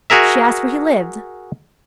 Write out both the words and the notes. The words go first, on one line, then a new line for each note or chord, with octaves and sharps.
She asked where he lived.
F#4 G#4 A#4 E5